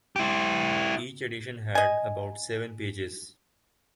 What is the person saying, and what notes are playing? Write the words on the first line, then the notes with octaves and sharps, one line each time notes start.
Each edition had about seven pages.
E4 G4
D#5 G#5